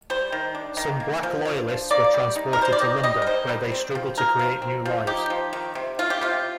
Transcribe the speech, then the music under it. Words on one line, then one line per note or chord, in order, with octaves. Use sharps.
Some Black Loyalists were transported to London, where they struggled to create new lives.
G3 C5
D#3
D4
D#3
A#3
F3
D4
F3
A#3 D5
G3
D#4
A#4
G3 C5
D5
C4 D#5
G3 D#5
A#4
D#4 C5
G3
C4
F3
D#4 A#4
F3
C4
F3
D#4 G4
F3
D#3
C3
A3 F4
G4
C3 F4